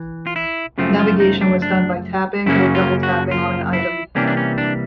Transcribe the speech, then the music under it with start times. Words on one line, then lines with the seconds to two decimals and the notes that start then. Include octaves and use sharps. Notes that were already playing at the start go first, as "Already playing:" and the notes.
Navigation was done by tapping or double tapping on an item.
Already playing: E3
0.27 F4
0.36 E4
0.78 F#2 C#3 F3 A3 C4 F4
0.99 F4
1.20 D#4
1.41 D4
1.62 D4
2.46 F#2 C#3 F#3 A#3 C#4 E4
2.75 F4
3.03 F#4
3.31 F4
3.73 E4
4.15 C3 E3 G3 A#3 C#4 D4
4.27 D4
4.37 C#4
4.58 D4